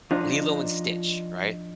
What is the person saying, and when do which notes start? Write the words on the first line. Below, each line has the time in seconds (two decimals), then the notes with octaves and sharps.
Lilo and Stitch, right?
0.11 F3 D4 D#4